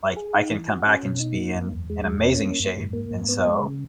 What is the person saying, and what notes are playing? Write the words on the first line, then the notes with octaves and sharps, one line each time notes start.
like, I can come back and just be in in amazing shape. And so
G#4
D#4
E3
F#4
C#4
B2
D#4
A#3
F#2
E2
G#3
E2
C#4
A#3
F#2
G#2
A#3
G#2
B3
G#3
C#3